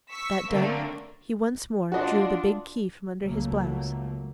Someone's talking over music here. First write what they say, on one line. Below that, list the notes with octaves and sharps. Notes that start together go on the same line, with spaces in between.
That done, he once more drew the big key from under his blouse.
C#6 E6 B6
D3 F#3 A3 A#3 C4
D4 F4 F#4 D#5
C#2 F#3 A3 A#3